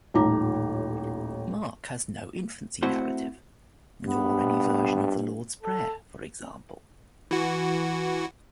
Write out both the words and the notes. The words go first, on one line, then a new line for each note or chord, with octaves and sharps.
Mark has no infancy narrative nor any version of the Lord's Prayer, for example.
D#1 A1 D#4 F4 A#5 D6
A3 C4 E4 F#4 C5
G2 B3
A4
E3 F#4